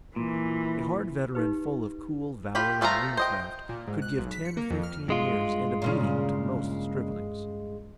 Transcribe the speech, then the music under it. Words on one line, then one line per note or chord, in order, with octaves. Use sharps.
A hard veteran full of cool valour and ring-craft, could give ten or fifteen years and a beating to most striplings.
A#2 E3
D#4 G4 B4
F4 G4 G5 B5
F3 A3 F4 G#4 A#5
C5 D#5 G5
A#2
G#2
F#6
B1
B6
C#7
A#3
F2
F6
G2 G#3 F4
A#2 C#3 C#4